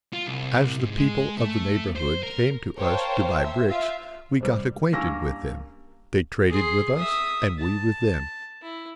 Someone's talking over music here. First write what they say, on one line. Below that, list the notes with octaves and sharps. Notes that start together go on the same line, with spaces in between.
As the people of the neighbourhood came to us to buy bricks, we got acquainted with them; they traded with us and we with them.
F4
C2
G#2
G#3
A3
C5
A#4
A#4 C5 C#5 F5 G5 A5
C5 E5
F4 E5 F5
F2 C3 G3
G2 A#3 C#4 A#4 E6 A#6
G#4 C6
E5 D#6
A5
E4